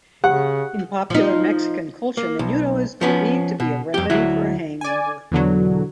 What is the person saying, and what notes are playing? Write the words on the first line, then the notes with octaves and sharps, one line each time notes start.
In popular Mexican culture, Menudo is believed to be a remedy for hangover.
C#3 G4 F#5
F3 D#4
A#3
B1
F3 B3 C#4
B2
F2 G4
D2 F#3 E4
D5 G#5
E2 B2 D3 F#3